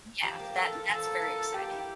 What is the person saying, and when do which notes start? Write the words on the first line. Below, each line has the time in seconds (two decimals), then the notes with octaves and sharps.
Yeah, that that's very exciting.
0.23 F3 G4
0.39 A#3
0.56 A4 A#4
0.72 F4
0.89 F3 A4
1.05 A#3
1.22 A#4
1.38 F4
1.54 A#3 G4
1.71 E4